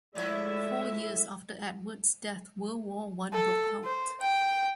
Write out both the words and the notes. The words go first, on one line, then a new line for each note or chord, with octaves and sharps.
Four years after Edward's death, World War One broke out.
A2 F3 G#3 A3 E4 D5 E5
A4
C5
G5